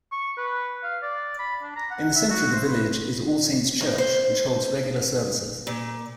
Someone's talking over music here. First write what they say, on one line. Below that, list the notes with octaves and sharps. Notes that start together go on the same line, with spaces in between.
In the centre of the village is All Saints church which holds regular services.
C#6
B4
F5
D5
B5
D4
A#5
F#5
E5
F#4
C5
B4
A2
C5
A#2